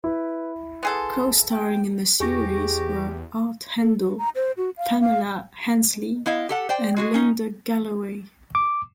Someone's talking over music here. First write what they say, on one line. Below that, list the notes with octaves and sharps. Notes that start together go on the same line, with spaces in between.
Co-starring in the series were Art Hindle, Pamela Hensley, and Linda Galloway.
E4 B4
B3 G#4 A4 C6
G5
E2 G4 G#4 C#6 A#6
A4
F#4
A#5
C5
F#4
F5
F5
B3 E4 D#5 F5
G4 A4 F#5
C5 D5 G5
G#3 F#4 G#4
C#4 D#4
D6